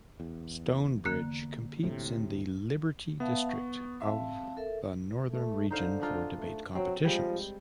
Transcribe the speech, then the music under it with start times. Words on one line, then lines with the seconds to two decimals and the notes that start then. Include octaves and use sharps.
Stone Bridge competes in the Liberty District of the Northern Region for debate competitions.
0.20 E2
1.05 D3 A#3 F#6
1.83 D2 A2 C3
3.20 B3 E5 F5 A5
3.49 C#6
4.02 C4 E5 F5 A5
4.57 A4 A#4 E5
5.32 A3
5.71 D3 D#4 C5 F5
6.02 D4 D#4 F4
6.39 A3
6.75 F#3 C4
7.05 F3 G3 G#3